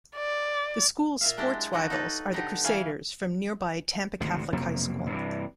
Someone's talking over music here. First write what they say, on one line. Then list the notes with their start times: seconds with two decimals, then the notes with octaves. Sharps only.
The school's sports rivals are the Crusaders from nearby Tampa Catholic High School.
0.16 D5
1.21 A#2 E5 F5
1.37 F#3 G#3 D4 E4 G4
1.73 F3 F#3 D#4 F#4
1.90 D#4 A4 B4
2.33 D3 B3 D#4 G4
2.64 C#3 E3 F5 G#5
4.20 G#1 D2 C3
4.52 B1 F2 C3 A#3
5.10 G2 C3 E3